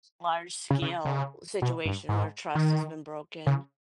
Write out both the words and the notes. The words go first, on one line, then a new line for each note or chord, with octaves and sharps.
s large scale situation where trust has been broken.
C#3
C#3
C#3
B2
G2
G#2
D#3
C#3